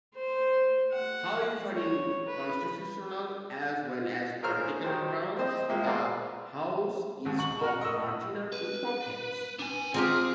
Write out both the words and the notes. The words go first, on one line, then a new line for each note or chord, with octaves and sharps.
However, in constitutional as well as political terms, the House is of marginal importance.
C5
F#5
C#5
B4
F4 G#4 A#4 C5 C#5 F6
D#3 F#3 G3 C5
C4 C5 D#5
F3 G#3 A#3 E4 G4
G#4 A#4 B4 D5 F5 C6
D#2 G#2
C#6 F#7
A#4 F#5
D#5 C#6 E6
B4
D4 G#5
C4 D#4 F4 G4 G#4 F6